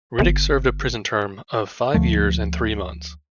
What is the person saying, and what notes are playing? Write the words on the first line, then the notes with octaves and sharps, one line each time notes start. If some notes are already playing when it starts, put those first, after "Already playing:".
Riddick served a prison term of five years and three months.
G1
D2 F3 A3